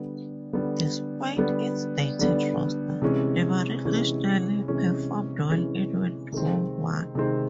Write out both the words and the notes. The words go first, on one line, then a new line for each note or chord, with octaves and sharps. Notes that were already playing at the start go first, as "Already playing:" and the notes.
Despite its dated roster, the Marine Nationale performed well in World War One.
Already playing: D3 G3 B3
D3 G3 B3
D3 G3 B3
D3 G3 B3
C3 E3 G#3 C#4
C3 E3 G#3 C#4
C3 E3 G#3 C#4
C3 E3 G#3 C#4
C3 D#3 G#3 C4
C3 D#3 G#3 C4